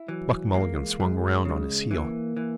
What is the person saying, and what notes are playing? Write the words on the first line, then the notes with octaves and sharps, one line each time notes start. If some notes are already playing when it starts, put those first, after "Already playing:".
Buck Mulligan swung round on his heel.
Already playing: E4
E3 F#3
G#3 A#3
F#2 G#3
C#3 G#3
E3 A#3
E3